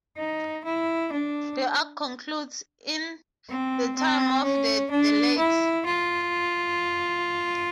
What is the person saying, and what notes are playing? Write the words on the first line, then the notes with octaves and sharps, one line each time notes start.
The arc concludes in "The Time of the Daleks".
D#4
E4
D4
C4
C4
C#4
D4
E4
F4